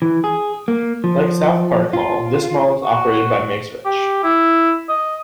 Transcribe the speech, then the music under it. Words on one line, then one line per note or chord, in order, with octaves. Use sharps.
Like SouthPark Mall, this mall is operated by Macerich.
E3
G#4
A#3
F3
F4
F#4
G4
E4
D#5